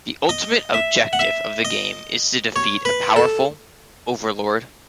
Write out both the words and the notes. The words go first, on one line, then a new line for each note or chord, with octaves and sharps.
The ultimate objective of the game is to defeat a powerful "Overlord".
D#5
E5
F#5
E5
D#5
C#5
B4
A4